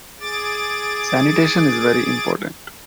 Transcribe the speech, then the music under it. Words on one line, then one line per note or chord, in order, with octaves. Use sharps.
Sanitation is very important.
G#4 D6 A6